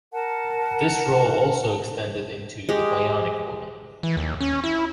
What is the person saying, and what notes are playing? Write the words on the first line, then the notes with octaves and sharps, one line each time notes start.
This role also extended into "The Bionic Woman".
A#4 F#5 A5
G#3 G4
E3
D#2
C#4
E4